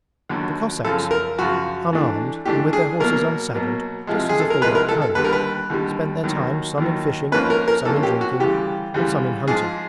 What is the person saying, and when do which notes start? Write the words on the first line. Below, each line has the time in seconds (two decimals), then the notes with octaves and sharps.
The Cossacks, unarmed and with their horses unsaddled just as if they were at home, spent their time some in fishing, some in drinking, and some in hunting.
0.29 D#2 D3 F#3
0.85 F#2 C#3 F3 A4
1.11 A#4
1.38 F#2 C#3 F3 F#4
1.93 G#2 E3 A3 D4
2.45 G#2 E3 A3 D4 G4
2.73 G#4
3.00 B2 F#3 A#3 A#4
3.54 B2 F#3 A#3
4.07 C2 C3 F3 G#3
4.29 G#4
4.40 A4
4.50 A#4
4.61 C2 C3 F3 G#3 B4
4.75 A#4
4.89 A4
5.02 A4
5.15 D#2 D3 G3 B4
5.24 A#4
5.33 B4
5.70 D#2 D3 G3
6.24 D#2 D#3 F#3
6.78 D#2 D#3 F#3
7.32 G#2 F3 A#3 C#4 B4
7.50 A#4
7.68 A#4
7.85 G#2 F3 A#3 C#4 A4
8.03 G4
8.21 F#4
8.40 D2 C#3 E3 G3 G4
8.94 D2 C#3 E3 G3
9.48 G#2 F3 G#3 G#4